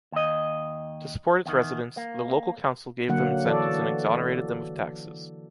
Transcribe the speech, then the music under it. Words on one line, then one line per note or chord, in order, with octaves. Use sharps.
To support its residents, the local council gave them incentives and exonerated them of taxes.
D#2 D#5
E2 D#3
A#3
D3 F#3 A#3 F#5
E3 F#4 A4 D5